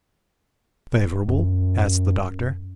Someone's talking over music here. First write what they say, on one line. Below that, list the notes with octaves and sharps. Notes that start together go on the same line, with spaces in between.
"Favorable?" asked the Doctor.
F#2